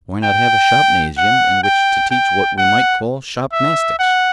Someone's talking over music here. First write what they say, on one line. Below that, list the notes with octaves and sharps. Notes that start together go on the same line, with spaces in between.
Why not have a shopnasium in which to teach what we might call shopnastics?
G5
F#5
G5
G5
F#5
E5
F#5